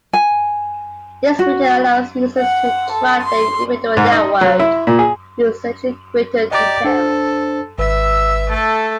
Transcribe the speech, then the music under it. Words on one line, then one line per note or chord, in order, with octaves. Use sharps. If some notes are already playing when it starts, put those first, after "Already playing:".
This feature allows users to track their individual network usage in greater detail.
G#5
F#4
F#5
A4
C6
G#2
D#4
F#3
E4
A#2
G#4
G4 D5 D#5 A#5 D6
D4 A4 C5
G#1 B4 E5 E6
A3 A4